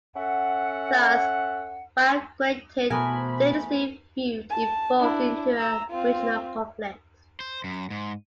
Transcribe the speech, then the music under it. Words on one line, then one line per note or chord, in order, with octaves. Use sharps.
Thus, a Bagratid dynastic feud evolved into a regional conflict.
C#4 A4 E5 F#5
B2 E3 A3 B3 A#4 C5 G#5 B5
A5
D4 E4
A#5 E6
C4 F4
C5
F#2
G#2